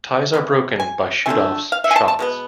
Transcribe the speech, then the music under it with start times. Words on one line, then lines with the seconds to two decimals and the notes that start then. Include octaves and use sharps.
Ties are broken by shoot-offs shots.
0.33 C3 G#3 B3
0.80 G#5
1.26 D3 F3 A3 G#5
1.72 F5
1.84 E5
1.91 G#5
1.96 A5
2.08 A5
2.19 B2 G#3 B3